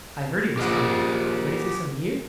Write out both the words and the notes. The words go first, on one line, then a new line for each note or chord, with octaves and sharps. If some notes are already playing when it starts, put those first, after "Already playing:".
"I heard he was coming, but is he so near?"
A#1 G4 D#5 F#5